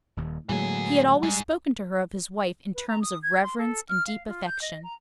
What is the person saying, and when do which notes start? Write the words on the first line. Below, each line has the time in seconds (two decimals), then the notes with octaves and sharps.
He had always spoken to her of his wife in terms of reverence and deep affection.
0.17 D#1 D#2
0.49 A2 D3 E3 F#3 G#3 A#3 G#4
1.23 G#2 G3 G#3
2.75 B4
2.88 A#5
3.02 D#6
3.23 G#6
3.43 C6
3.58 A4
3.89 F6
4.07 F5
4.27 F4
4.46 G6
4.61 D#5
4.83 A#5